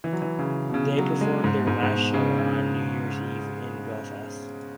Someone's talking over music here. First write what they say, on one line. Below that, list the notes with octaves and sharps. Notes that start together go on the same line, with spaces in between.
They performed their last show on New Year's Eve in Belfast.
E3
F#3
E3
C#3
B2
C#3
F#3
G#3
G#2
B2
G#2
G#2
B2
C#3
C#3